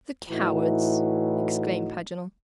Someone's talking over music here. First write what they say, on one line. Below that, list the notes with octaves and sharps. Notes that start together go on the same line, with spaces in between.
"The cowards!" exclaimed Paganel.
A2 E3 D#4 F#4